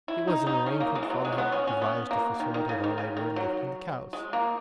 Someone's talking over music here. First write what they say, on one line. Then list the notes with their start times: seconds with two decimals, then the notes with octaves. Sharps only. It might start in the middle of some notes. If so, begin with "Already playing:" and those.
It was an arrangement father had devised to facilitate our labour in lifting the cows.
0.08 E4
0.28 D#4
0.47 D#4
0.66 C#4
0.80 A#3
0.95 G#3
1.03 E3
1.10 F#3
1.25 G#3
1.32 C#4
1.38 B3
1.52 C#4
1.67 C#4
1.82 B3
2.11 A#3
2.40 D#3
2.54 D#3
2.69 C#3
2.84 D#3
2.98 C#3
3.17 D#3
3.36 F#3
4.13 G#3
4.33 A#3